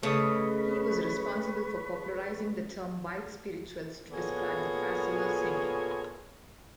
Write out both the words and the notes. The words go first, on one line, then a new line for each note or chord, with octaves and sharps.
He was responsible for popularizing the term "white spirituals" to describe the "fasola" singing.
C#3 A3 B4 C#5 D#5 C#6 D#6
A#2 B3 G#4 A4 C#5